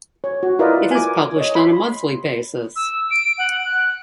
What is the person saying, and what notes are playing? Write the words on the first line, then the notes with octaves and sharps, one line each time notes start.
It is published on a monthly basis.
C#5
F#4
E4 F4 A#4 B4 D5 D#5
G#5 D6
C#5 D#5
B5 C6
E6
D7
F#5
F#6